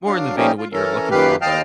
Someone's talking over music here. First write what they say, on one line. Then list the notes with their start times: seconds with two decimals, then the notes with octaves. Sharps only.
more in the vein of what you're looking for, but,
0.06 F#3 D4 F5
0.37 F3 G3 A3 C#4 D#4 G4
0.58 F4
0.73 E3 C#4 A4 A#4
1.11 F#2 A#2 D#3 G4 B4 F5
1.42 D#2 D#5 F5 G5 A5 F6